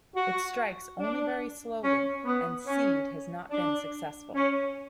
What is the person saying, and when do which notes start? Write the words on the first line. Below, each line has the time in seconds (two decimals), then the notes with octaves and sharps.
It strikes only very slowly and seed has not been successful.
0.15 F#4
0.99 D4
1.83 C#4
2.24 B3
2.67 C#4
3.51 D4
4.35 C#4